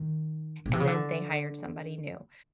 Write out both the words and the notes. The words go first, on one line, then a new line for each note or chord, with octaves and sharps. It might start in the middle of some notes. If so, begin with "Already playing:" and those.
and then they hired somebody new
Already playing: D#3
B2
C3
C#3
D3